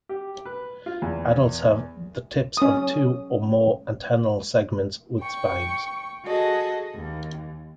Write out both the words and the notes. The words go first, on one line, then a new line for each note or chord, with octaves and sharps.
Adults have the tips of two or more antennal segments with spines.
G4
B4
F4
E2
C#4 D#6
G5 C#6
F#4 G#4 A4 D#5
D#2